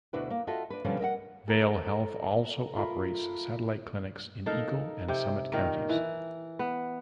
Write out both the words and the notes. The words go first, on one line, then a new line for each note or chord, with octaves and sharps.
Vail Health also operates satellite clinics in Eagle and Summit counties.
D2 B2 D4 E4 F#4 B4
A#3
F4 F#4 A4 D#5 E5
D4 B4
B2 D3 F3 G3 C#4
A#4 D#5 E5 F#5
A4 A#4
A3 F4 A#4 B4
D#4 A4 A#4 F5
C3 G5
A#2 D#3 A#4
E3
B3